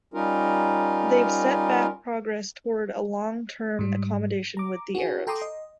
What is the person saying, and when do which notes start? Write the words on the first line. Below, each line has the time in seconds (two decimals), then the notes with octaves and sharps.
They've set back progress toward a long term accommodation with the Arabs.
0.14 G3 C#4 D#4 F4 A#4
3.79 G#2 G3
4.57 A#5 D6
4.95 F#4 G#4
5.27 A4 G5 A#5 C6 D6 D#6
5.42 D#5